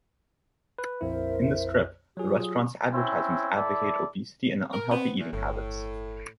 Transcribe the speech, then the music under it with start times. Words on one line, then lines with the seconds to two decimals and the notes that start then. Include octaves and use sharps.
In the strip, the restaurant's advertisements advocate obesity and unhealthy eating habits.
0.79 B4
1.01 A#1 F2 E4 A#4 C5 E5
2.17 F#3 F4 G4 G#4 D#6
2.94 C4 C#4 E4
3.55 E4 A4 D5
4.73 A#4
4.91 B3 C4
5.20 E2
5.33 G1 A2